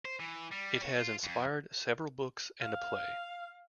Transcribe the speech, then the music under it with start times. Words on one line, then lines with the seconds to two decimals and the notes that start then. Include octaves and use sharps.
It has inspired several books and a play.
0.05 C5
0.20 E3
0.52 G3
0.82 C#5
0.98 F4
1.24 F2
2.61 F5